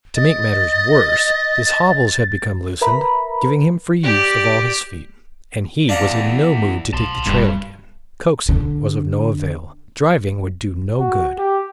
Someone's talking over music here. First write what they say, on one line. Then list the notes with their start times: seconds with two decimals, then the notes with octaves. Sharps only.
To make matters worse, his hobbles had become loosened, giving him free use of all his feet, and he was in no mood to take the trail again. Coaxing was of no avail, driving would do no good.
0.16 D#5 A6
2.81 A#4 B4 E5 A#5 B5
4.03 G4 D5
5.89 E2 D4 F5 A#5
6.93 B1 A5 C6
7.27 D#1 G2
8.49 D3
10.99 F#4
11.38 G4